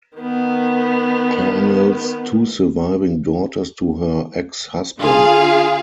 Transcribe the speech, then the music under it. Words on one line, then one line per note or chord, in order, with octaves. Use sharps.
Parnell's two surviving daughters to her ex-husband.
D#3 B3
D3 F4 G#4 F5